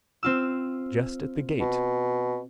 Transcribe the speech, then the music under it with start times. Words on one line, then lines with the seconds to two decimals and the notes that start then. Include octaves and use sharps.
Just at the gate.
0.23 C4 F4 E6
1.61 B2